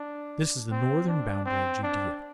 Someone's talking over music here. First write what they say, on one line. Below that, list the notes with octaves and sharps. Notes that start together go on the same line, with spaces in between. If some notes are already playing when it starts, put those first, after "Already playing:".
This is the northern boundary of Judea.
Already playing: D4
C4
D4
C4
D4